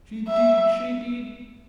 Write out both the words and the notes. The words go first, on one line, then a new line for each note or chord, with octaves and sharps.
She did--she did!
E5